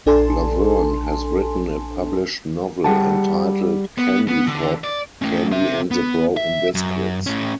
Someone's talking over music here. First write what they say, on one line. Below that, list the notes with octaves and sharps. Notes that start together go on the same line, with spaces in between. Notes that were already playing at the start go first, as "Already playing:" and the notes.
Laverne has written a published novel entitled "Candypop: Candy and the Broken Biscuits".
A#1 D4 A4 G#5 A5 C6
G3 G#4 F#5 G5 A5
B3
B3
D3
D5
A3 C#4
C4 E5
B3
E5
F#2
A2 C#4